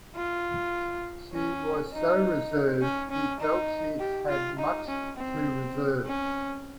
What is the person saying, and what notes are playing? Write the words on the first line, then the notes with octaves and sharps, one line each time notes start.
She was so reserved, he felt she had much to reserve.
F4
C#4
D#4
C#4
C#4
D#4
G4
F4
D#4
C#4
C4
C#4